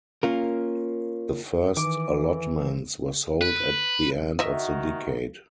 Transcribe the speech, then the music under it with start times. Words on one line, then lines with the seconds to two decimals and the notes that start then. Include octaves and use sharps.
The first allotments were sold at the end of the decade.
0.23 A#3 C#4 F4 A#4
1.77 D#3 E3 D6
3.41 B4
4.39 D#3 F#4 D#5 E5